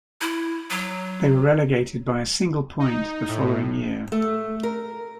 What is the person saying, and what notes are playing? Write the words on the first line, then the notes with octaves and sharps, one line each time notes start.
They were relegated by a single point the following year.
E4
F#3
D#4
A2
A3
A#4